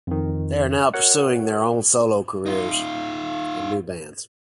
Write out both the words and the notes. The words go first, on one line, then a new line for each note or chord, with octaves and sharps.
They are now pursuing their own solo careers and new bands.
F2 D#3
F#4 A#4 C#5 F#5
D#4 F4